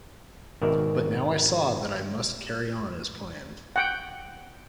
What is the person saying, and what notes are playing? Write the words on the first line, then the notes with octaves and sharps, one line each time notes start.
But now I saw that I must carry on as planned.
G#1 B2 D#3 A#4 D5 E5
F#5 G5